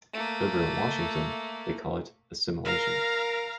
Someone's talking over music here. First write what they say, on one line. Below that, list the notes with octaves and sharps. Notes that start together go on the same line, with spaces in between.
Over in Washington, they call it Assimilation.
A3 A#3
A#4 F5 A#5